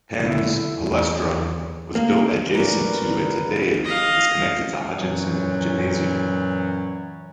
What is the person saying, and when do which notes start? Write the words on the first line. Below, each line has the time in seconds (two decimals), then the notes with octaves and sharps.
Penn's Palestra was built adjacent to and today is connected to Hutchinson Gymnasium.
0.20 D3 E4
0.77 E2
1.25 E2
1.95 A#3
2.54 A#2 F#3 A3 C#4 A#4 B4 D5
3.84 D#5 F5
4.98 F#2 A#2 E3 F#3